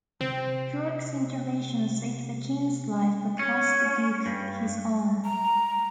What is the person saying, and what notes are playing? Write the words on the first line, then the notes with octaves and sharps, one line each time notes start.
York's intervention saved the king's life but cost the duke his own.
C3 C4
C#4
G2
A#5